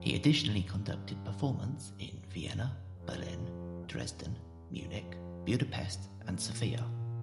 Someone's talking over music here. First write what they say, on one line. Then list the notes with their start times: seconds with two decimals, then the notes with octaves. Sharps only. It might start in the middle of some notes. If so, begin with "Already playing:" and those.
He additionally conducted performance in Vienna, Berlin, Dresden, Munich, Budapest and Sofia.
Already playing: F2
0.34 F#2
0.78 G2
2.10 F#2
2.98 F2
3.86 E2
4.74 F2
5.62 F#2
5.92 G2
6.22 A2
6.50 A#2